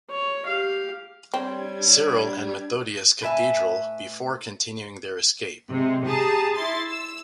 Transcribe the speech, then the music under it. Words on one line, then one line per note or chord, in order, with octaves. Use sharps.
Cyril and Methodius Cathedral before continuing their escape.
C#5
G4 F5
G3 C4 D4 G4 C#5 G#6
A2 B4 E5 G#5
C3 G#3
G4 G#4 A5 A#5
E4 C6 A6
E6